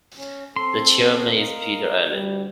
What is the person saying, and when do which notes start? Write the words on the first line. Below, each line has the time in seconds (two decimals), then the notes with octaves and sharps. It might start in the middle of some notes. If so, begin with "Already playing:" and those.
The Chairman is Peter Allen.
0.17 C#4
0.56 C4 A4 C6
1.36 A#4 D#5 F5
2.13 D2 G3